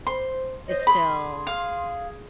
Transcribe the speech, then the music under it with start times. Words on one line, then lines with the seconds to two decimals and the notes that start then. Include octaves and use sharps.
is still
0.07 C5 C6
0.68 C5 C#5 D#5
0.87 G#4 B5 C6
1.47 F5